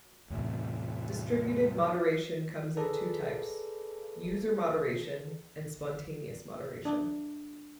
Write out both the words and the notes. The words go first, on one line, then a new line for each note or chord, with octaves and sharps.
Distributed moderation comes in two types: user moderation and spontaneous moderation.
E2 A2 C3
G#4 A4 B4 D5 A#5
D4